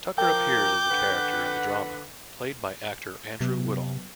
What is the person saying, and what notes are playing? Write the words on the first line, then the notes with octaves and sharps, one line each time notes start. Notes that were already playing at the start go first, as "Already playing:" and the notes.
Tucker appears as a character in the drama, played by actor Andrew Woodall.
F3 A#4 G5 D6 G6
D3 B4 F#5
C3 F#3 B3